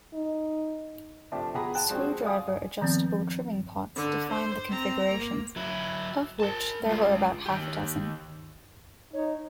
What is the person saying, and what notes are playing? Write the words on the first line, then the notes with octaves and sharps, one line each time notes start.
Screwdriver-adjustable trimming pots defined the configurations, of which there were about half a dozen.
D#4
C3 F3 A3 D4 G4
B2 G4 G#4 F#5 A#5 B5
G5 A5 F#6
F3 G3 G#3 C4 F#4
D5 F5 G#5 D#6
D#3 F3 B3 C4
D3
C5
C4 A#5
A#3
F#3 E4
A#4 A5
G#3 F4
D#3 G4
D#4 C#5